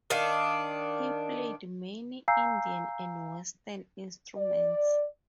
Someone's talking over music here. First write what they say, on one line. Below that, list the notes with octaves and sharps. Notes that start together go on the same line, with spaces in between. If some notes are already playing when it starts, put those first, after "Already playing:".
He played many Indian and Western instruments.
D#3 D4 F5
F5 G#5 A#5 E6 G6 C7
D5